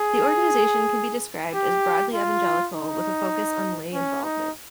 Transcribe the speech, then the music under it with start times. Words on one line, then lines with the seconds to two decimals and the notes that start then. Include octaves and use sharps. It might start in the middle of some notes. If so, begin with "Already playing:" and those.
The organisation can be described as broadly evangelical with a focus on lay involvement.
Already playing: G#4
1.55 G4
2.14 F4
2.75 D#4
3.94 C#4
4.24 D#4